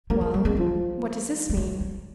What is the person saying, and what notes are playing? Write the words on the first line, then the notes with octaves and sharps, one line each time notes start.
'Well? what does this mean?'
G3 A#3
G#3
G3
G#3
F3 G3
G3
G#3
G3